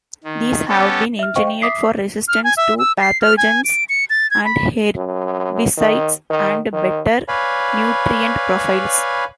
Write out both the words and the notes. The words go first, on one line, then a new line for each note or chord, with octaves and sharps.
These have been engineered for resistance to pathogens and herbicides and better nutrient profiles.
D#3
B3 C#4 G4 A4
E5 F6
C5 D#5 F5 G5 C#6
G5
E5 D6 D#6 B6 C7
F6
G#5
E5
E6
C7
F6
G#5
D7
C#7
A6
G#6
B5
F#2
D#3
D#3
D#3
B4 C#5 D5 F5 G#5 B5